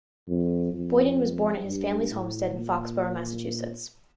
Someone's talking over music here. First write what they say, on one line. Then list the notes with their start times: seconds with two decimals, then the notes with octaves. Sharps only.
Boyden was born at his family's homestead in Foxboro, Massachusetts.
0.28 F2
0.73 F2
1.65 G2
2.11 A2
2.55 A#2